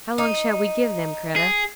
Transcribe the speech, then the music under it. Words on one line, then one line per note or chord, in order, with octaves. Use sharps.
"How long shall we give them, Kreta?"
D#4
G#4